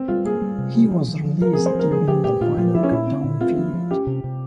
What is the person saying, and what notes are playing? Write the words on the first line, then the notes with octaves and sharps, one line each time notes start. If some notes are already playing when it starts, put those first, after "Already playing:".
He was released during the final cutdown period.
Already playing: C4
G3 F4
A#3 G#4
G3
C3
G3
F3
F3
F3
F3 A#4
G#4
C4
C5
F3 A#4
F3 G#4
F3 G4
A#2 G4
A#2 F4
A#2 F4
F3 E4
C#4
A#2 E4
C4
A#2
C4 F4
F3
F3
C#4 G4
C3
C3